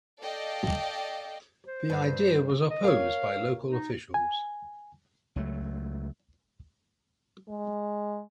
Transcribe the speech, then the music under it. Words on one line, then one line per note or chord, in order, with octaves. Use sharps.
The idea was opposed by local officials.
A4 D5 D#5 F5 G5
C5
G2
D#5
A#4 C#5 F5
D#4
G#5
C#2 F#3 A3
G#3